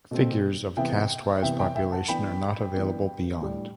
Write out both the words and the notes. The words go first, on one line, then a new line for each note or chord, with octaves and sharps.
Figures of caste-wise population are not available beyond.
B2 A3 C4
C3 E3 B3 E5 G5
C3 E3 B3 E5 G5
E5 G5
E5 G5
F#5 A5
E3 B3 D4 G5 B5
E3 B3 D4
A2 G3 D4